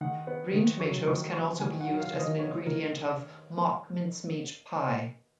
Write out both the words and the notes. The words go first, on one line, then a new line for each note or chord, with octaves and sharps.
Green tomatoes can also be used as an ingredient of "mock mincemeat" pie.
D#3 F#5
B3
D#3
F#3 C#6
D#3 C#6
B3 C#6
D#3 G#5
F#5
F#3
F5
D#3
D#5
B3 C#5
D#3 A#4